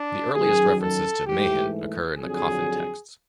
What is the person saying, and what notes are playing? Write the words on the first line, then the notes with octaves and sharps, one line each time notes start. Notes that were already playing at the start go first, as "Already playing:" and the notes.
The earliest references to Mehen occur in the Coffin Texts.
Already playing: D4
F#2 D#3 F#3 G#4
A4
G#2 E3 A3 G4
F2 D3 F#3 G#4